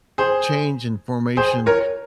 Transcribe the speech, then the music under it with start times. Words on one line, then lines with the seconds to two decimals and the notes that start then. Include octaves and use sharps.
change in formation
0.18 G#4 C5
1.37 G#4 C5
1.66 A#4 C#5